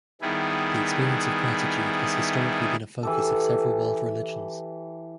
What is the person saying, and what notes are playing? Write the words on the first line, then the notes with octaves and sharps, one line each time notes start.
The experience of gratitude has historically been a focus of several world religions.
D#3 G3 B3 E4 G#4
E3 G4 A4